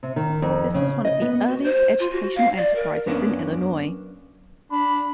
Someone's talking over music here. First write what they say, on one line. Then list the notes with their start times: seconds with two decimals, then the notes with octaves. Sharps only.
This was one of the earliest educational enterprises in Illinois.
0.03 C3
0.16 D#3
0.42 F2
0.74 C#3
1.05 D#5
1.22 B3
1.48 F#4
1.64 C5
2.00 F4
2.12 F#4
2.35 F5
2.57 D5
2.75 A#4
3.06 F#2 A#3 B3 C#4 D4
4.71 D4 B5